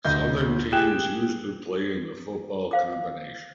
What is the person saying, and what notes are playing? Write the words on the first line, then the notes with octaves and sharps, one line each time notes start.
Southern teams used to play in the Football Combination.
D2 D#5 G6
G4 G#4 G5 F#6 E7
C5 F5 D6